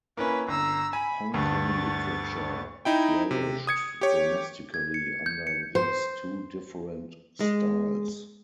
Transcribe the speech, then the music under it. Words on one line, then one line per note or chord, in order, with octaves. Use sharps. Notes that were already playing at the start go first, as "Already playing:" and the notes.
Hong Kong literature flourished domestically under these two different styles.
A#3 C#4 E4 B4
G1 A#5 E6
G#5 B5
D2 G2 C#6 A6
D#4 E4 G5
C3
D#6 G#6 C#7
G4 C#5
G#6
C#7
G6
C#7
C5
G#3